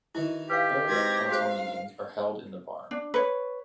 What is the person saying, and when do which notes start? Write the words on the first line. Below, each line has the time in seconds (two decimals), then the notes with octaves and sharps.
Parish council meetings are held in the Barn.
0.15 D#3 E3 E4 F#4
0.50 G4 B4 F5
0.89 G#3 C4 D#4 F#4 B4 G#6 A#6
1.29 F#4 G#4 C5 F5
2.91 D4
3.14 B4 C#5